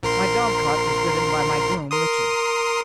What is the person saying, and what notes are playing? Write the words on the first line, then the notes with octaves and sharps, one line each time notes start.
My dogcart was driven by my groom, Richard.
A#1 A#4 C6
A#4 C6 D#6